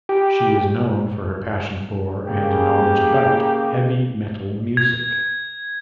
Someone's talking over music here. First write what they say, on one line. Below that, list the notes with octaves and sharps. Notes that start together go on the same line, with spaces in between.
She is known for her passion for and knowledge about heavy metal music.
G4
C#3 A#3 G4
G#6